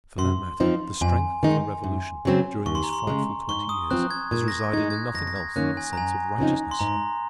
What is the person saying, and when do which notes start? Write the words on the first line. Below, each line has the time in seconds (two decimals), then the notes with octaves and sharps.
For that matter, the strength of the Revolution, during these frightful twenty years, has resided in nothing else than the sense of righteousness.
0.18 F#2 C6
0.60 F3 C4 D#4
1.01 F2 G#5
1.43 D#3 G#3 D#4
1.84 F#2
2.25 C#3 F#3 C4
2.66 D#2 C#6
2.75 C6
2.84 A#5
2.93 C6
3.07 C#3 G#3
3.49 G#2 C#6
3.69 D#6
3.91 F3 C4 F#6
4.11 G#6
4.31 A#2 G#6
4.48 A#6
4.52 G#6
4.73 G#3 D#4 G#6
4.90 G#6
4.93 F#6
5.14 F2 A#6
5.27 A#6
5.36 G#6
5.56 D#3 A#3 C#4 F#6
5.77 G#5
5.93 A#5
5.97 F#2 G#5
6.38 C#3 F3 C4 D#4
6.71 C6
6.79 G#2 A#5